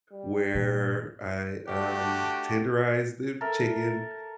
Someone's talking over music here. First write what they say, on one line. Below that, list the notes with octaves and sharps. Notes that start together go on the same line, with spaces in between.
where I, um, tenderize the chicken
G3
A#2 E3
A3 D4 F#4 G4
A4 A#4 E5